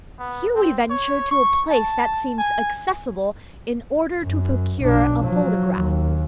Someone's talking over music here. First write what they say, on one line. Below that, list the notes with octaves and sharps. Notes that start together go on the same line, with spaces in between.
Here we venture to a place that seems accessible in order to procure a photograph.
B3
C4
C#5
C#6
A5
G#5
F#2
B1 D4
F3 F#3
D#2